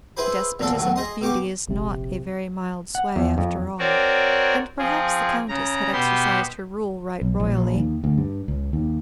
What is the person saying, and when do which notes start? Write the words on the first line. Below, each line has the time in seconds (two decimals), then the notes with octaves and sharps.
The despotism of beauty is not a very mild sway, after all; and perhaps the Countess had exercised her rule right royally.
0.17 E4 G#4 B4 C5 B5
0.59 A#1 E2 A#2 D4 A4
0.75 D#2 A2 F#3
0.96 G#4 D#5 C6
1.21 B2 G4 C#6 D6
1.68 F1 A#1 C3
2.95 F#5
3.16 E2
3.38 F2
3.79 C4 F#4 A#4 C#5 D5
4.78 F3 C4 G#4
5.49 C#3 A#5
5.92 B2 B3 G4 C6
7.22 B1
7.40 A#1
7.76 D#2
8.04 D2
8.18 G2
8.48 C#2
8.73 D#2